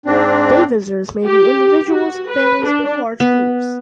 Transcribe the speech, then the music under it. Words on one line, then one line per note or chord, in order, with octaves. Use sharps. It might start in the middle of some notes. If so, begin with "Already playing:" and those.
Day visitors may be individuals, families, or large groups.
G#2 C4 D4
G4
F#4
B4
D4
B3